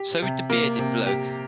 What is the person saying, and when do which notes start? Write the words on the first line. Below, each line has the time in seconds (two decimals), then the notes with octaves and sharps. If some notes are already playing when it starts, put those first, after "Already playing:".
So with the bearded bloke.
Already playing: G4
0.22 C3
0.50 A#3
0.79 C3
1.06 G4